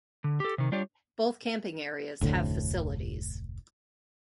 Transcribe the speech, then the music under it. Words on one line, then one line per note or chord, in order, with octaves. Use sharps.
Both camping areas have facilities.
D3
G4 A4
C3 D#3
G3 D4 F4 G4 C#5 D5
F1 D2 A2 D3